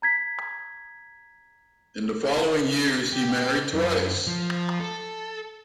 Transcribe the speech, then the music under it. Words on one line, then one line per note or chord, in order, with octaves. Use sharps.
In the following years he married twice.
A#5 G#6 B6
G4
F#2
F3
A4